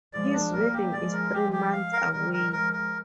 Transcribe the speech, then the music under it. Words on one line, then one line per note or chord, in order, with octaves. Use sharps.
His wedding is three months away.
F3 G#3 D5
D4
G3 A#3 A#4
G4
F3 G#3 D5
A#4
G4
G4
F5
A#4
D#3 G3 A#4
A#4
F3 G#3 A#4
A#4